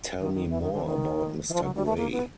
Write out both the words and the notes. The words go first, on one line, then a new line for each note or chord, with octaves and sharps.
Tell me more about Mr. Gray.
D#3
D#3
E3
D#3
D3
D#3
E3
F3
F#3
G3
A3
A#3
B3